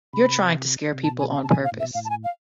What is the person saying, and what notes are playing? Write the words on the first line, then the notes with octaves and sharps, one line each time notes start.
You're trying to scare people on purpose.
C3 B5
C3
B2 A5
G#5
F5
C3 A5
B2 G#5
B2
F5
A2
E5
B2
A2 F5
A5
G#5
F5